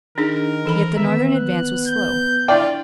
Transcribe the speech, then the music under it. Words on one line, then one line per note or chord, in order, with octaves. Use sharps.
Yet the Northern advance was slow.
D#3 D4 D#4 G#4 A#4
E3 A4 B5
D#3 B3 E5
F#6
G6
D4 E4 F4 D5 E5 G5